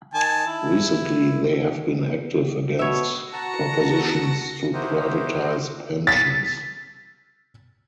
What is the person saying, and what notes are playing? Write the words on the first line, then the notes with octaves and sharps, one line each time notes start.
Recently they have been active against propositions to privatize pensions.
D#3 G#5 A5
E4
B2 C#5 E5
F#4 A5 A#5 A#6 C#7
E4 F#4 G4 A#4 C5 D#5
A6 B6